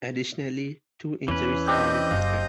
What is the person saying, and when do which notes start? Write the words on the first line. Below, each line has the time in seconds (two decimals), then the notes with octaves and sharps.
Additionally, two injuries were reported.
1.28 E2 E3 C#4 B4
1.67 C4 D4 G4 D#5 G6
2.11 F#1 F5